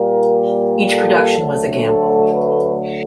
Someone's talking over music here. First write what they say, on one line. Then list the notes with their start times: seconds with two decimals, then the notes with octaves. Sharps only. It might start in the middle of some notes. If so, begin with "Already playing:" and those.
Each production was a gamble.
Already playing: A#2 G3 A#3 A#4
0.89 A4
1.38 D2 D3 F#3 A3
1.85 A4
2.33 B4